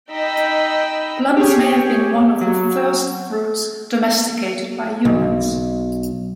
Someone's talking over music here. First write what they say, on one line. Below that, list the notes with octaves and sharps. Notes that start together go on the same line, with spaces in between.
Plums may have been one of the first fruits domesticated by humans.
D#4 D#5 G5 B5 E6 B6
G4 G#4 C#5
F#3
B1